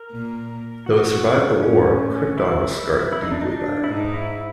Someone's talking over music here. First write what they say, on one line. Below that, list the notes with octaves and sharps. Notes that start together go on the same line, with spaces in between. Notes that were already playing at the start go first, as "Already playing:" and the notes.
Though it survived the war, Krypton was scarred deeply by it.
Already playing: A#4
A#2
F#4
F#4
A2 C#4
E4
E4
D#4
D4
D#4
D4
E4
G#2 D#4
E4